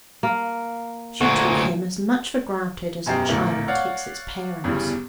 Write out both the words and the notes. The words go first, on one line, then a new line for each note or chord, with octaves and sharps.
She took him as much for granted as a child takes its parents.
A#3
D2 A#2 A4 F#5 C#6
E1 F#2 G4 D#5 G5 C7
D1 A#1 D3 A3 A#3 E4
C#5 D5 F5 F#5
G1 E2 G2 C#3 E3 G3